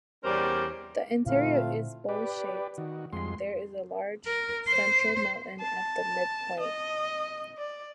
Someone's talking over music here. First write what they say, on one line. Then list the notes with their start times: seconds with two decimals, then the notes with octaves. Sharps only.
The interior is bowl-shaped, and there is a large central mountain at the midpoint.
0.24 E2 G3 C#4 A#4 C5 D5
1.26 A#2 D3 A3 C4 E4 F4 F5
2.09 G4 B4 D5
2.78 D#3 F#4
3.13 F2 G#3 C6
4.26 A#4
4.69 C5
5.61 A5
6.60 D#5
7.58 D5